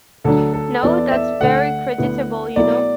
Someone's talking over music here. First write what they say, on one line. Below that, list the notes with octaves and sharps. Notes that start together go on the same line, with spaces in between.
Now that's very creditable, you know.
D2 D3 F#3 D4 A4
A4
E2 E3 B3 E4 D5
E5
D2 D3 A3 F#5
D2 D3 B3 E4
B2 F#3 A3 E4 D5